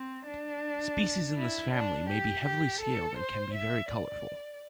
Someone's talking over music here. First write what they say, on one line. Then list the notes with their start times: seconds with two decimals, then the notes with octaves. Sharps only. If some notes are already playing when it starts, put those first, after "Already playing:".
Species in this family may be heavily scaled and can be very colourful.
Already playing: C4
0.27 D4
1.35 E4
1.71 D4
2.08 G4
2.44 G4
2.80 A4
3.16 C5
3.52 E5
3.88 D5